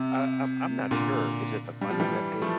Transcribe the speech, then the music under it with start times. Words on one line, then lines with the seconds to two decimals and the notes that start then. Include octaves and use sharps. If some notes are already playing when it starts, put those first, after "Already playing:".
Uh, I'm I'm not sure. Is it the funding that they
Already playing: C3
0.91 A#2 D3
1.81 G3
1.91 F3
2.00 E3 G3
2.42 F3 A3